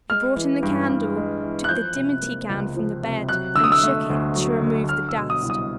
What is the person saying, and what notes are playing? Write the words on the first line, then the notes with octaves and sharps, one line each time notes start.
She brought in the candle, took the dimity gown from the bed, and shook it to remove the dust.
G#3 F6
E3
G2
G2
G#3
E3
F#6
F3 G6
C3
A#3
C#2
F3
C3
F#3 F#6
D3 E6
D#6
E6
A3
D2
F#3
D3
F#3 F6
E6
B2
D#6
C2
D#6